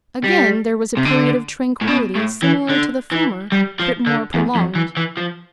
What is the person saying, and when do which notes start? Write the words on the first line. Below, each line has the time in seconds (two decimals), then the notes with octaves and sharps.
Again there was a period of tranquillity similar to the former, but more prolonged.
0.24 G3
0.97 C3
1.05 D3
1.82 A2
1.87 B2
2.16 A2
2.43 E3
2.70 D3
3.12 E3
3.52 G3
3.80 F3
4.07 D3
4.34 E2
4.55 F2
4.75 E3
4.97 E3
5.17 F3